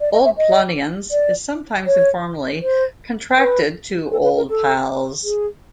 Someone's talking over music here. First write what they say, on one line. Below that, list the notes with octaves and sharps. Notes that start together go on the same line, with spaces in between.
"Old Paludians" is sometimes informally contracted to "Old Pals".
D5
D#5
E5
D#5
D5
C#5
C5
B4
A4
B4
A#4
A4
G#4